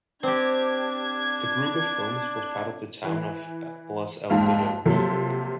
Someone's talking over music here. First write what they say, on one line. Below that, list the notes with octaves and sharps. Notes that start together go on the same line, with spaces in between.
The group of homes was part of the town of Los Algodones.
C4 D4 G4 G#6
E3
A#1 F2 G#2 F5
C3 F3 F#3 A#3 A4